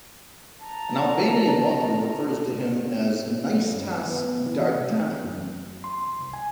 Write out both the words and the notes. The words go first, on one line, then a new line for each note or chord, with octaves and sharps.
An Albanian author refers to him as "Nicetas Dardani".
A5 A#5
G2
B3
E3
F#2
C6
C2
G#5